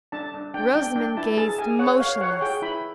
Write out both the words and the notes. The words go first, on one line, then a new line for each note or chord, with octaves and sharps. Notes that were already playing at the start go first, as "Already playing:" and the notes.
Rosamond gazed motionless.
D4 A5
D4
D4 G5
D4 G5
D4 G5
E4 A5
G#4 A5
G#4 G#5
C#5 F#5
C#5 F5
C#5 F#5
G#4 G5
E4 B5